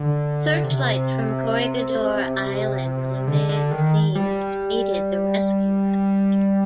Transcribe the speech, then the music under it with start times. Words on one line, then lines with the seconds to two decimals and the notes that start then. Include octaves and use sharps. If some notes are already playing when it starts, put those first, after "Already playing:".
Searchlights from Corregidor Island illuminated the scene which aided the rescue effort.
Already playing: D3
0.63 C3
3.27 D3
3.49 D3
3.71 D#3
4.15 G3